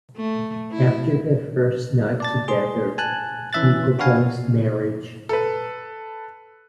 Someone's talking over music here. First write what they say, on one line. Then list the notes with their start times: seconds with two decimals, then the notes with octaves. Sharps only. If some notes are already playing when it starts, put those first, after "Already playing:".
After their first night together, he proposed marriage.
0.16 A3
0.71 E4
2.20 D5 A5 A6
2.48 G#4 C6
2.98 G#5 A5 F#6
3.53 E3 C#4 E5 F#6 A6
3.99 D4 F#4 B4 F5 G#5
5.29 A4 B4